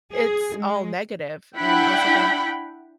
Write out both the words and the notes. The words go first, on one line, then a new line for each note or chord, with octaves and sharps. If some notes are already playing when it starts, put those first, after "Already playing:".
it's all negative. And I was, like, going,
G#4
G#3
D4 E4 F#5 G5 B5